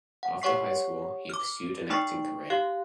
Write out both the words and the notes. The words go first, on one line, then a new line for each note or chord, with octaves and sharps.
After high school, he pursued an acting career.
F#5
G4 C#5 F#5 C#6 B6 C7
D6 F6
A3 D#4 G5 C#6
G4 F5 F#6